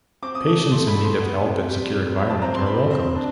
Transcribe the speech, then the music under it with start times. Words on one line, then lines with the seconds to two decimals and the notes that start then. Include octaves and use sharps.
Patients in need of help and secure environment are welcomed.
0.22 C4 D6
0.35 D#6
0.47 A3 D6
0.72 A3 C6
0.88 B5
0.96 A3
1.04 C6
1.20 B3
1.44 C3
1.69 G3
1.93 C3
2.18 C4 B5
2.30 A5
2.42 C4 A#5
2.55 C6
2.66 C4 B5
2.90 C4
3.15 D4